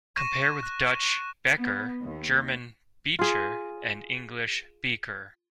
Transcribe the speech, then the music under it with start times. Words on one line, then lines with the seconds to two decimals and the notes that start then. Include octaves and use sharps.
Compare with Dutch "beker", German "Becher" and English "beaker".
0.17 C#6 A#6 D#7 E7
0.63 F#6
1.57 B3
2.04 D#2
3.19 F4 G#4